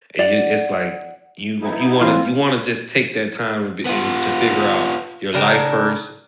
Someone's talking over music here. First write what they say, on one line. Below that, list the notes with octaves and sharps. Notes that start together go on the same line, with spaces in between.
And y it's like, you gonna you wanna you wanna just take that time to be and to figure out your life first,
D5 F#5
B3 D#4 E4
E3 C4 F4
B3 F4
C#3 D4 A#4 G5